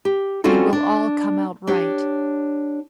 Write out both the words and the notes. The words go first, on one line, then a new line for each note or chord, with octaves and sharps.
It will all come out right.
G4
G3 C4 C#4 F4 F#4 A4
D4
D4 G4 C#5